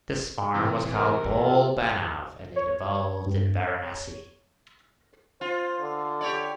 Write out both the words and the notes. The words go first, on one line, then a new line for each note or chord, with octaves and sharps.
This form was called "bol-banav" and it evolved in Varanasi.
C3 E3
A#4
F4 A4
C#5
G2
C#5
F4 C5
D3
G4 C#5 D5